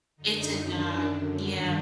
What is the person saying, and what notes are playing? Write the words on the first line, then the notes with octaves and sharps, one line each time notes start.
It's a job. Yeah.
F#2 D3 D#4
F#2 D#3 D4
F#2 D3
G2 D#3 D4